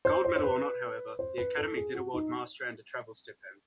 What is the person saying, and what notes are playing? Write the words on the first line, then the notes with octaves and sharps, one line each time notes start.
Gold medal or not however, the Academy did award Marstrand a travel stipend.
C5
C5
C5
B4
C5
B4
A4
G#4
F#4
D#4